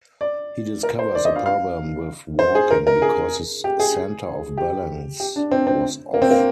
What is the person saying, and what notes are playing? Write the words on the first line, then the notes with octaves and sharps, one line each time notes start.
He discovers a problem with walking because his center of balance was off.
D5
A#4
C5
D5
D#5
F5
F5
C5
G#4
A#4
A#4
G#4
G4
G#4
G4
G4
D4
C4
C4
A#3
C4
A#3